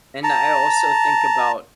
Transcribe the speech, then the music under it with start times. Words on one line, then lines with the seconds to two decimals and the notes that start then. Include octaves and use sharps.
and I also think about
0.24 A5 A#5